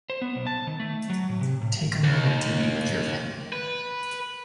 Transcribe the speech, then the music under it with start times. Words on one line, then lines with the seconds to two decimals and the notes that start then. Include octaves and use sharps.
Take a moment to be with your family.
0.10 C5
0.22 B3
0.35 B1
0.47 A5
0.67 D#3
0.80 A3
1.10 F#3
1.29 A2
1.41 C3
1.62 A2
2.04 D#2
3.53 B4